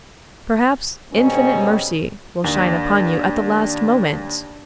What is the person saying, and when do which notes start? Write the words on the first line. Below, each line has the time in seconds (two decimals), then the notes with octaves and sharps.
Perhaps Infinite Mercy will shine upon you at the last moment!
1.12 G#2 B2 D#3 G3 C4 C#4
2.44 D#2 D4